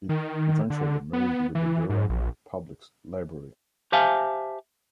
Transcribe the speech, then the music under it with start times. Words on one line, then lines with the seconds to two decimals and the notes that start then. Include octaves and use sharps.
It eventually merged with the Durham Public Library.
0.09 D#3
0.70 D3
1.13 B3
1.55 E3
1.90 G#2
2.09 A#1
3.92 G4 C5 E5 F5 G#5 A5